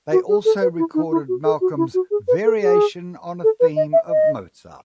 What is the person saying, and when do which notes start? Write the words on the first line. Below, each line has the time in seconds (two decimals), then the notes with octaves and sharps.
They also recorded Malcolm's "Variations on a Theme of Mozart".
0.12 F#4
0.29 G#4
0.45 A4
0.62 B4
0.78 E4
0.94 D#4
1.11 E4
1.28 F#4
1.45 A4
1.61 F#4
1.77 E4
1.94 F#4
2.11 G#4
2.28 B4
2.44 A4
2.60 G#4
3.44 A4
3.60 B4
3.77 D#5
3.93 E5
4.10 D#5